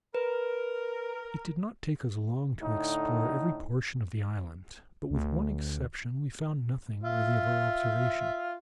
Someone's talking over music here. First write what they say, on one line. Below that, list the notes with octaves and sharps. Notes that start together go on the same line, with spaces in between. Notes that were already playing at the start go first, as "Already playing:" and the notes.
It did not take us long to explore every portion of the island, but, with one exception, we found nothing worthy of our observation.
A#4 B4
A2 D3 D#4
D2
F4 E5